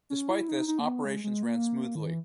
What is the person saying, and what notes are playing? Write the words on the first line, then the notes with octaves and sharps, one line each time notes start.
Despite this, operations ran smoothly.
C#4
E4
D#4
D#4
A#3
B3
G#3
G#3
A#3
D#3
E3